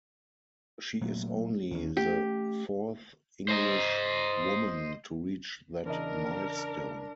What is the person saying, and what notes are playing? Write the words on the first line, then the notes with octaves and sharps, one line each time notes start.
She is only the fourth English woman to reach that milestone.
A#2 F#3 A3
D#2 C#4
A3 C#4 G4
C5 D#5
E2 C#3 D4 A#4 D#5